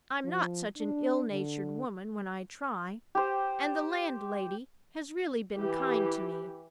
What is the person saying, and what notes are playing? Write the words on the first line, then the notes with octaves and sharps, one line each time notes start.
I'm not such an ill-natured woman when I try; and the landlady has really been kind to me.
F3
D4
D3
G4 C5
E3 G4